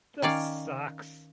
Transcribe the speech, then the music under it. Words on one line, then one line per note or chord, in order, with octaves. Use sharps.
This sucks.
D#3 C#4 D5 F5